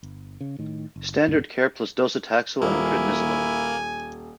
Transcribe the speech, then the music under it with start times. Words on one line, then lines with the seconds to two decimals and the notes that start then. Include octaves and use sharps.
Standard care plus docetaxel and prednisolone.
0.03 G1
0.41 C#3
0.59 A2 D#3
0.96 F#1
1.28 C#2 G2 A#2 D3
2.62 D#1 A#3 E4 G#5